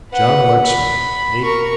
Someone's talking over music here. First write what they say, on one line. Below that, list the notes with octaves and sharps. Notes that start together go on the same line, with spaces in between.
John Lexman--A.
B4 F#5
B5
A#4 C#6